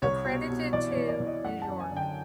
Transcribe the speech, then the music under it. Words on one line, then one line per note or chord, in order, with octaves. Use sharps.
Accredited to: New York.
C2 C#5
B2
B2
E3 D5
C#5
E3
D5
E3
D#5
F#2 F#5
A5
F#2
G#5
D3
G5